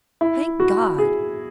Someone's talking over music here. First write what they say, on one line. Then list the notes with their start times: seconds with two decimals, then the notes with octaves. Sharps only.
Thank God!
0.21 E4
0.60 F#4
0.98 G#4